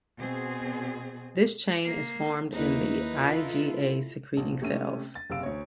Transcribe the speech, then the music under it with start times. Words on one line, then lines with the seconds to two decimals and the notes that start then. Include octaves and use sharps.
This chain is formed in the IgA-secreting cells.
0.20 B2 C4 G#4
1.84 A#3 C7
2.52 D#2 A#3 D#4 E4 B4
3.14 E4 F4 A4
4.37 A#1
4.62 C3 A3 C#4 D#7
5.15 A6
5.30 F#1 C3 F5 E6 D7
5.43 D2 C#5